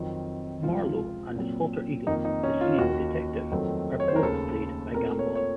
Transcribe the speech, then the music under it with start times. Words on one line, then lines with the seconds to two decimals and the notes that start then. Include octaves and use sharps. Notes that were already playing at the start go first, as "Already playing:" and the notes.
Marlow and his alter-ego, the singing detective, are both played by Gambon.
Already playing: F2 D#3 F#3 C4
0.63 C#2 C3 F3 C4 F4
1.35 A#2 F#3 C4
2.07 F2 D#3 A#3 D#4
2.25 D#4
2.43 C#4
2.61 F4
2.79 D#2 D#3 A#3 F#4
3.51 F2 D#3 F#3 A3 C4
4.00 C#5
4.08 C5
4.16 A#4
4.22 D#2 C#3 A3 A4
4.94 A#2 A3 C4 A#4
5.19 C#5
5.35 C#5